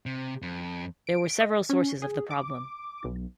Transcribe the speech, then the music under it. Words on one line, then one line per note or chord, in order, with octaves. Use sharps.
There were several sources of the problem.
C3
F2
D7
D#5
C#4
G#4
D6
B1